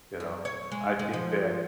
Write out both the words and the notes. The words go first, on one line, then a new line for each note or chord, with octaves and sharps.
you know? I think that,
F#2
C#5
G#3
G#3
F3